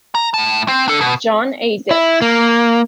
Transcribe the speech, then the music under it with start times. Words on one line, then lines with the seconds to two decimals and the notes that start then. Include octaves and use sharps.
John A. Dix.
0.15 A#5
0.34 A2 A5
0.68 C4
0.88 D4 A4
1.01 B2
1.91 E4
2.22 A#3